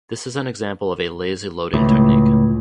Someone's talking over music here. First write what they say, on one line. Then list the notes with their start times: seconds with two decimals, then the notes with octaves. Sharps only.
This is an example of a lazy loading technique.
1.73 C#2 A2